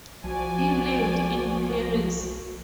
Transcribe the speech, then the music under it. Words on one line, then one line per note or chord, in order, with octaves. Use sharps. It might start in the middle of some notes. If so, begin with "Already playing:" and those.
He lived in Paris.
B1 F3 F#4 D5 G#5